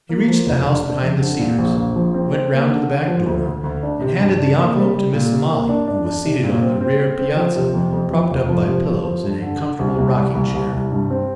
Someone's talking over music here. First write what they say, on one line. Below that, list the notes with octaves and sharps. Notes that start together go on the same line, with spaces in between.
He reached the house behind the cedars, went round to the back door, and handed the envelope to Mis' Molly, who was seated on the rear piazza, propped up by pillows in a comfortable rocking-chair.
A#3
F3
F1
D4
D4
F2
D3
A#2
A#1
A#1
F3
C4
C4
A#3
D3
D3
F3
D2
D2
D2
D4
C3
G2
D4
A#3
G3
G3
A#2
C3
A#3
D4
D4
D4
C3
A#2
C4
C4
C4
C4
F3
C3
F2
F2
F3
F1
F3
C3
F3
F3
G2
D3
D3
C2
C2
G3
C2
C2
C2
G2
C4